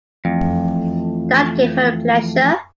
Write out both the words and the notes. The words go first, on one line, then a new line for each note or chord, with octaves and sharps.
That gave her pleasure.
F2 E3 F3 A3